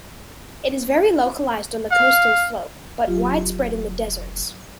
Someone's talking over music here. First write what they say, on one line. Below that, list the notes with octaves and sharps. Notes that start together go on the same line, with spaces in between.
It is very localized on the coastal slope, but widespread in the deserts.
F5
F1 F#3 F4 G4